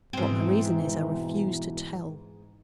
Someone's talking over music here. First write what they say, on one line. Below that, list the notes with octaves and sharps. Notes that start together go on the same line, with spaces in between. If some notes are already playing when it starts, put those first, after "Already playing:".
What my reason is, I refuse to tell.
G#2 B2 E3 C4